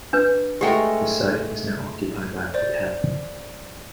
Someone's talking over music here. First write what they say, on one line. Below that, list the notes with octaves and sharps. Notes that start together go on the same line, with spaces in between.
The site is now occupied by a hotel.
D4 B4
G#3 A3 G4 A#4 F#5 G5
C5 D5